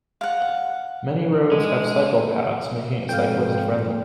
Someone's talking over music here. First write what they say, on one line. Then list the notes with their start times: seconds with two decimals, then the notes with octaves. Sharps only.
Many roads have cycle paths making it cyclist friendly.
0.21 F5 F#5
1.52 G#3
3.09 F2 G#2 F5 G5